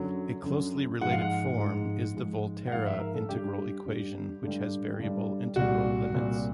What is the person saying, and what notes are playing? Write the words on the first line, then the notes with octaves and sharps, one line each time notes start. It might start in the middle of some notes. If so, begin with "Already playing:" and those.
A closely related form is the Volterra integral equation which has variable integral limits.
Already playing: F#2 D3 F#3
F#2 D3 F#3
G#2 F3 G#3 F#5
F5
F#5
G#2 F3 G#3
G#2 F3 G#3
F#5
G#2 F3 G#3 F5
E5
A#4
A4
G2 D3 G3 G4
G2 D3 G3
G2 D3 G3
G2 D3 G3
C2 A#2 G3 F#4
C2 A#2 G3